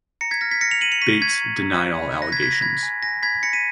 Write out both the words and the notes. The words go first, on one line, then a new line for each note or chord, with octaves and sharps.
Bates denied all allegations.
A#5 A#6 C#7
G#6 B6
F6 A#6
G#6 B6
F6 A#6 C#7
C#7 F7
F6 D#7 F#7
C#7 F7
C#6 B6 D#7
C#6 G#6 B6
A#5
A#5
F#6
B5
F#6 A#6
G#6 B6
F#6 G#6 B6
A#6
B5 G#6
G#5
G#5 A#6
B5 G#6 B6
B5 A#6 C#7
B6 D#7